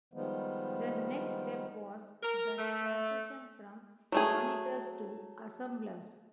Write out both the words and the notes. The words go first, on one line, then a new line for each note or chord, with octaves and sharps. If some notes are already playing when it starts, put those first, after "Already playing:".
The next step was the transition from monitors to assemblers.
D#3 F3 G3 G#3 B3
A#4
A3
F#3 A3 G#4